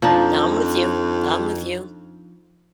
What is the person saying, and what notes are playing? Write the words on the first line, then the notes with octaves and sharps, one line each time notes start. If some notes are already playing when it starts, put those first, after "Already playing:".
I'm with you, I'm with you.
F2 F3 D4 D#4